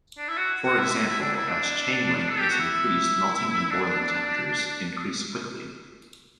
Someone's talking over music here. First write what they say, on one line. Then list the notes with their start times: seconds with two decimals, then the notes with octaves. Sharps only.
For example, as chain length is increased, melting and boiling temperatures increase quickly.
0.18 D4
0.28 E4
0.37 F#4
0.65 F#4
0.78 E4
1.06 E4
1.20 D4
1.34 E4
1.48 D4
2.29 A4
2.39 G4
2.49 F#4
2.59 E4
3.70 D4